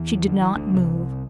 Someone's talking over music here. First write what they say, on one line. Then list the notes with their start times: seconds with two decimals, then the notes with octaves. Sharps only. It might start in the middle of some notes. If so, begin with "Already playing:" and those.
She did not move.
Already playing: E2 E3
0.27 D3
0.42 E3
0.56 D2 D3
0.75 C2 C3